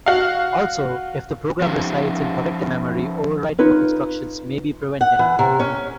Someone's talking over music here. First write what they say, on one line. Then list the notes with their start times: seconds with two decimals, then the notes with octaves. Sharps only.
Also, if the program resides in protected memory, overwriting of instructions may be prevented.
0.06 F#4 F5
1.61 F3 C#4 D#4 G4
3.58 D#4 F4 B4 C#5
5.01 F#5
5.19 E3
5.39 C3
5.59 C#4